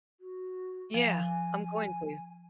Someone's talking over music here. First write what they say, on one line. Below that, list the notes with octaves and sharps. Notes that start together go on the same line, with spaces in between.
Yeah, I'm going to.
F#4
F3 G#5